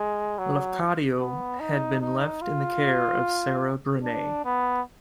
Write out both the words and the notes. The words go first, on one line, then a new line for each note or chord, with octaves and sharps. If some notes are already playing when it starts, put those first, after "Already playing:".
Lafcadio had been left in the care of Sarah Brenane.
Already playing: G#3
F#3
B3
D#4
D#4
F4
D4
B3